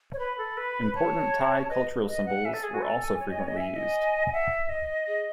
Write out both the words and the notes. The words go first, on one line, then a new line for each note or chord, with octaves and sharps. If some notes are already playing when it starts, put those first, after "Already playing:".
Important Thai cultural symbols were also frequently used.
C#5
B4 B5
A4
B4
C#5 A5
B4 D#5
D#5
F#5
E5 G#5
A4
G#4
F#4
A4
C#5
D#5
C#5
D#5
E5 G#5
D#5
D#5
E5 F#5
D#5
G#4